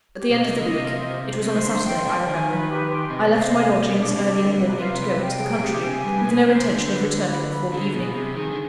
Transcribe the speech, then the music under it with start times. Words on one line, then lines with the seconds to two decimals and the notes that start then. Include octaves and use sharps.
At the end of the week--it was on a Saturday, I remember--I left my lodgings early in the morning, to go into the country; with no intention of returning before evening.
0.17 G4
0.30 B2
0.37 D#5
0.44 C3
0.58 D3 D#5
0.70 C3
0.80 F4
1.00 C5
1.22 C5
1.42 C3 C5
1.55 D#3
1.63 D3 C6
1.84 F2 F3 G5
2.05 F2 F3 D5
2.26 D#3 G#5
2.47 B4
2.68 G4
2.90 C6
3.10 C3 D#5
3.25 B2
3.32 C5
3.39 C3
3.52 G#5
3.74 D5
3.85 C3
3.95 B2 D4
4.15 C3 G4
4.36 D3 B4
4.58 C3 B4
4.78 C3 F4
4.99 B4
5.20 G5
5.41 G#4
5.54 B2
5.62 C3 G4
5.75 D3
5.83 C3 G#5
6.04 G2 G3 B4
6.25 B2 B3 B4
6.47 C3 C4 C5
6.63 C3
6.68 D3 C5
6.88 B4
7.10 B4
7.31 B5
7.52 B5
7.72 D3 G#4
7.93 B2 G#4
8.15 C3 G#4
8.36 D#3 G#4
8.51 D3